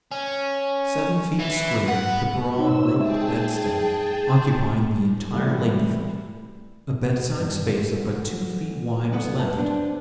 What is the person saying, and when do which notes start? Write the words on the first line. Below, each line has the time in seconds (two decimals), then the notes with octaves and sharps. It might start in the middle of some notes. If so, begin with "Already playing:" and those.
Seven feet square, with a broad, roped bedstead occupying the entire length, a bedside space of but two feet wide was left.
0.12 C#4
1.40 E3
1.88 B3 F#5
2.59 D#4 C5 C#5 E6
2.98 G#3 G#4 E5 G5 A5
5.33 A2 C3 E3 G3 A3
7.38 G2
7.94 D2
9.12 D2 B3 E4
9.37 B4 A5
9.57 B3 D4 C5